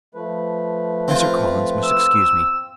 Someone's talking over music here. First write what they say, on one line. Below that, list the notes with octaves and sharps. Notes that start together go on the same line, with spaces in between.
Mr. Collins must excuse me.
F3 A3 B4
C4 F4
E6